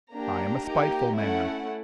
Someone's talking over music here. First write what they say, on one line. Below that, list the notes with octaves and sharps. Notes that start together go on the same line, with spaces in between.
I am a spiteful man.
A#3 D4 G4 A#5
A#3 D#4 G4
A3 C#4 E4 F#5